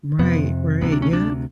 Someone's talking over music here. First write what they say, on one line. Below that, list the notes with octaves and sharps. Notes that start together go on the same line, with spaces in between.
Right, right, yep,
F2 C3 B3
D2 C3 B3
D4
C#4
D4